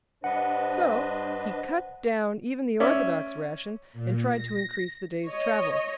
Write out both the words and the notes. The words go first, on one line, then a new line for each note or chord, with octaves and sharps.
So he cut down even the orthodox ration and tried to increase the day's travel.
G2 G3 D4 B4 C5 D#5 F#5
C#4 D5 E5
A#2
A#6
C#5 D#5